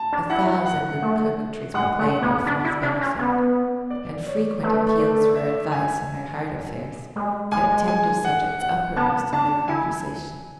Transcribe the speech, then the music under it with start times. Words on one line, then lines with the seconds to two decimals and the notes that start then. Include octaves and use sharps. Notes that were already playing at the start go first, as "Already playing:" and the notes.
A thousand little coquetries were played off for his benefit, and frequent appeals for advice in her heart affairs kept tender subjects uppermost in their conversations.
Already playing: A5
0.12 D4
0.30 E4 F#5
0.66 F#5
1.02 A3
1.74 G#3 F#5
1.99 A3
2.10 F#5
2.22 B3
2.46 D4 D5
2.64 E4
2.83 D4
3.01 C#4
3.19 B3
3.91 D5
4.26 C#5
4.63 A3 B4
4.99 D5
5.36 E5
5.72 G#5
7.16 G#3
7.52 G#3 G#5
7.88 G#5
8.25 F#5
8.61 F#5
8.96 B3 A5
9.33 D4 A5
9.68 E4 G#5